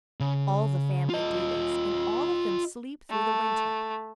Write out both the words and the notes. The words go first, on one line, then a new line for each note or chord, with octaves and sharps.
All the family do this, and all of them sleep through the winter.
C#3
F4 D#5
A3